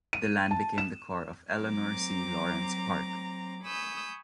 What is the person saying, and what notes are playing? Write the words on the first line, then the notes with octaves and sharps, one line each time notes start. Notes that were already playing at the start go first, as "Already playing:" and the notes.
The land became the core of Ellanor C. Lawrence Park.
D#7
A5
E7
F#3 C4 A#5 D6
G#5 B5 C#6 D#6 E6 G6